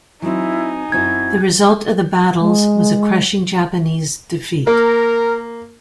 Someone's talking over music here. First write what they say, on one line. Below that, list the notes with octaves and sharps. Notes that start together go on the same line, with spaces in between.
The result of the battles was a crushing Japanese defeat.
F#3 C4 D#4 E4 G#5
F#2 C4 E4 F#4 G#6
G#3
A#3 A#4